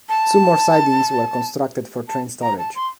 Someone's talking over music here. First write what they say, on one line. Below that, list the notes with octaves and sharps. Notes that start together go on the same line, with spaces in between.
Two more sidings were constructed for train storage.
A5
A5
A#5
A5
C6